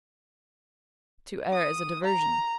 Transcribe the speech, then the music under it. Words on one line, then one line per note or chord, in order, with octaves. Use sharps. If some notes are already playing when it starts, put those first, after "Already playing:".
To err is a diversion.
D#6
A#5